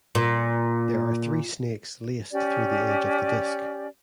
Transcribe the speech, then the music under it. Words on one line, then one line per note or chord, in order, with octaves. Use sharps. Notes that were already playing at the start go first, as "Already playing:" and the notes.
There are three snakes laced through the edge of the disc.
A#2
C#4 G4 D5